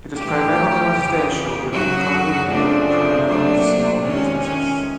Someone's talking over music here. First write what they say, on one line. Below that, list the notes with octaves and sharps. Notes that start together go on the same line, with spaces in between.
It is primarily residential, with an economy made up primarily of small businesses.
A2 E3 A3 G4
F2 C#3 E3
F#2 C#3 F#3 F#4
F#2 C#3 F3 A3 C4 D4
D4
A#2 F#3 A3 C4 D4
F2 C3 D#3 G#3 C#4
C#4